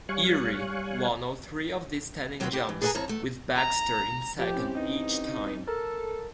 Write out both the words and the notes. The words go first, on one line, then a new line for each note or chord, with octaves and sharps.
Ewry won all three of the standing jumps, with Baxter in second each time.
G3 C#5 F5 G#5 C#6 F#6
D#2 F#3 C4 F4 B4 D#5
E4 G4
E3
G#4 A4 B4 D5 G#5 A#5
F2 E4 C#5 A5 A#5
E2 A3
A#5
F3 G4
C4 C#4 E4
G2 B2 D#4
A4 A#4